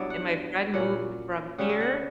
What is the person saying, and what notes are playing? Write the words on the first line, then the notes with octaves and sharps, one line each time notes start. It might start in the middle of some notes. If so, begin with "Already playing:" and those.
and my friend moved from here
Already playing: G2 F#3 B3 E4 D5
F#5
A#2 F#3 C#4 F#5
C#3 G3 C#4 F#5
E5
F#5